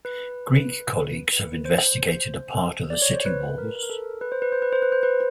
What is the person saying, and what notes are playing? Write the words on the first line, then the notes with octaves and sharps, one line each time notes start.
Greek colleagues have investigated a part of the city walls.
B4
B4
C5
D5
C#5
C5
B4
B4
A#4
B4
A#4
A4
B4
C5
B4
C5
B4
C5
B4
C5
B4